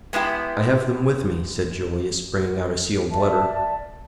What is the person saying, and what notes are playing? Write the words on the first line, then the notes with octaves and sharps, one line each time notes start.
"I have them with me," said Julius, bringing out a sealed letter.
G#3 B3 E4 G4
D5 E5 A5